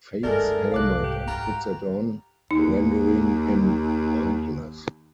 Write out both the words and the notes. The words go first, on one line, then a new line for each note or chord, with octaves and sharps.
Fate's helmet and puts it on, rendering him mindless.
G1 G#2 G#3 A3 A#4 D5
C2 G#2 F5 D6 F#6
G4
G#2 F4 F#4 B4 A#5
D#2 D#4